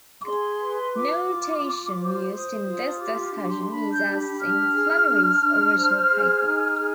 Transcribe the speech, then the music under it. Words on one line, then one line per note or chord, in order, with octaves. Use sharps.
Notation used in this discussion is as in Flannery's original paper.
D6
G#4 C6
B4
F4 D6
F4
F4
C5
C5 D#6
F4 D#6
G4 D6
D4 C6
D6
C6
C6
D4 B5
G6
G4
B5
D4 F6
G#4
D4
D4
C5
G#4
D#4
G#4